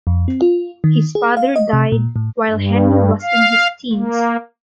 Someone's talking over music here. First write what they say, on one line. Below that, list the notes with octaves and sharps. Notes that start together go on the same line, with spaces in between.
His father died while Henry was in his teens.
F2
C4
F4
D#3
G#4
F5
D#5
C3
A#2
A2
G2
F5
A#3